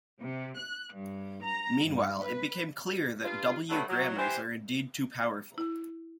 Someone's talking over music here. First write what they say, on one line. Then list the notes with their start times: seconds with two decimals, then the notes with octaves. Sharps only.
Meanwhile, it became clear that W-grammars are indeed too powerful.
0.21 C3
0.58 F#6
0.94 G2
1.44 A#5
1.86 G2
2.21 B4
3.23 G2 F4
3.70 D3 F#3 G3 A3 B3
3.89 F#3
4.18 E3 G4 C5
5.58 E4